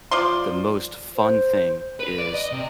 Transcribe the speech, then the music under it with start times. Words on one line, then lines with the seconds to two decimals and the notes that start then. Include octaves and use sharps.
the most fun thing is
0.11 F3 D5 C6
1.16 C5
2.00 B4
2.18 D5
2.34 D#5
2.52 C3